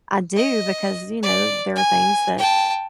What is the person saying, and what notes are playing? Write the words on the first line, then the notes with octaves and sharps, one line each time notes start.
I do because, you know, there are things that
D#5
D5
G#5
G5 A5